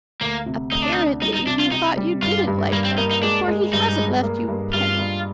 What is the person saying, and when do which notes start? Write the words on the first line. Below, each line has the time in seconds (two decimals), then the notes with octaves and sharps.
Apparently he thought you didn't like him, for he hasn't left you a penny.
0.21 D2 A#3
0.46 C3
0.72 D2 D#4
0.82 D4
0.93 D#4
0.96 D4
1.22 G3 D#4
1.34 D#4
1.47 C3 D4
1.59 F4
1.72 C3 D#4
1.97 G3
2.22 G2 F4
2.48 G2
2.72 G2 A#3
2.85 C4
2.98 A#3 D#4
3.11 D#4
3.23 G#3 D4
3.48 G#3
3.73 G2 D#4
3.98 G#3
4.23 A#3
4.48 G2
4.73 G2 F4
4.99 G2